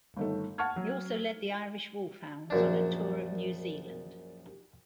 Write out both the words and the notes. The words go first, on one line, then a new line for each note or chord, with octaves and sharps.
He also led the Irish Wolfhounds on a tour of New Zealand.
G1 D#3 A3
F#5 A5 C#6 F6 G#6
F#3
A#1 F#2 D4